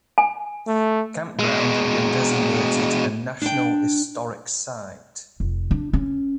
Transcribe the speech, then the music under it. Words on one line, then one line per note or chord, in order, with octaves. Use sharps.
The campground has been designated a National Historic Site.
G#5
A3
B2 G#3
D4 G5
F1
D4
C#4